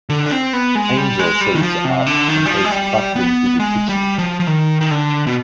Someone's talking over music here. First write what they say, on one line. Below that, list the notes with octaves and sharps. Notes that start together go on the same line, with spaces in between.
Angel shows up and takes Buffy into the kitchen.
D3
D4
C4
B3
G#3
G3
G#3
G3
D#3
F3
C3
D3
D#3
G3
F3
G#3
G3
B3
G#3
G3
F3
F3
D#3
D#3
D3
B2